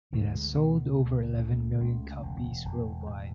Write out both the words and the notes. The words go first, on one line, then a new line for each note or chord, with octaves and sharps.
It has sold over eleven million copies worldwide.
D2 A3
G#3
B2 A3
C#2
C#3 A3
C#2
E1
E1
A2